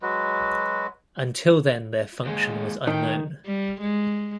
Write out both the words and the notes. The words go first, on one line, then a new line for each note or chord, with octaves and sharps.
Until then their function was unknown.
F#3 G#3 F#4 B4
D#2 G#3
D#3 A3 G5
G3
G#3